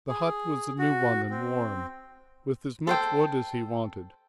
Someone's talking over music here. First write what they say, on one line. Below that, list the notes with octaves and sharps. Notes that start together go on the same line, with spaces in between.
The hut was a new one and warm, with as much wood as he wanted.
G#4
F#4
C4
A4 C5 G5